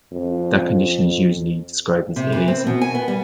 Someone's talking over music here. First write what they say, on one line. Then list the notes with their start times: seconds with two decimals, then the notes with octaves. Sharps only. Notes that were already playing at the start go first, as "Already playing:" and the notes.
That condition is usually described as "aliasing".
0.12 F2
2.16 C3
2.32 E3
2.48 C4
2.67 B2
2.81 G#5
2.95 B3
3.08 G3